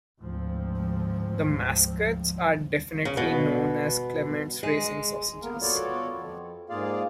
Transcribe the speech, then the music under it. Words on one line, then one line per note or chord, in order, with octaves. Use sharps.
The mascots are officially known as Klement's Racing Sausages.
D2 G#2 F3 C4
C#3
B2
G#3
A#3 B3 A#4
B3 F4 F#4 A4 C#5 D5
F2
G#2 A#3 F4 G#4 D5 F5